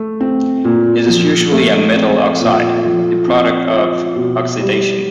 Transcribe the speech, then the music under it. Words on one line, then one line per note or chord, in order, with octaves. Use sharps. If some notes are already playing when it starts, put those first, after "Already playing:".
It is usually a metal oxide, the product of oxidation.
Already playing: A3
C4
A#2
F3
A3
C4
A#2
F3
C4
F4
B2
G3